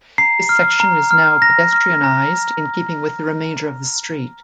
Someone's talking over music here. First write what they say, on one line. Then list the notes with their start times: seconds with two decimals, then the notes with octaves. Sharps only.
This section is now pedestrianised in keeping with the remainder of the street.
0.18 A#5 C7
0.49 F6
0.80 A#5
1.11 F6
1.42 A#5 A#6
1.73 F6
2.04 A#5